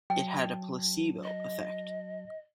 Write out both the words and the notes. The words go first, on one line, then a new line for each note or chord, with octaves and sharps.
It had a placebo effect.
F#3 G5 A5
D#5